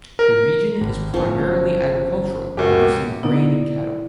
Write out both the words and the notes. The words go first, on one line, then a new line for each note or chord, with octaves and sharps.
The region is primarily agricultural, producing grain and cattle.
A#4
G#1
G1 F3 C#4
C#2 F#2 G4
D3 B3 D#4 E4 D5